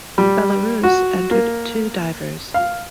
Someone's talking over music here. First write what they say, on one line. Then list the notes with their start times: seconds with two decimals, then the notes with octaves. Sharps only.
Belarus entered two divers.
0.18 G3
0.83 F#4
1.31 A#3
2.54 F5